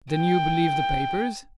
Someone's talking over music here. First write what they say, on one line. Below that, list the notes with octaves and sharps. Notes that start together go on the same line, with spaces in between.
"Then you believe the papers?"
G5